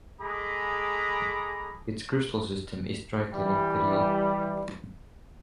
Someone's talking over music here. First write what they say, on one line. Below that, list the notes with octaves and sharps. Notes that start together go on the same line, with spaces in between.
Its crystal system is triclinic pedial.
G#3 G#4 A4 A#5 B5 D6
E3 G3